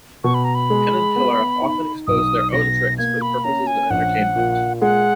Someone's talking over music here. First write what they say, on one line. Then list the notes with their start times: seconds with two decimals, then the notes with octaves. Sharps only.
Penn and Teller have often exposed their own tricks for the purposes of entertainment.
0.24 B2 C#6
0.34 B5
0.44 A#5
0.55 B5
0.70 G#3
1.16 B3
1.61 D#4
2.07 B1 D#6
2.52 B2 A#6
2.98 A#3 G#6
3.21 B5
3.44 C#4 A#5
3.67 G#5
3.90 A#1 F#5
4.36 A#2
4.81 G#3 F#5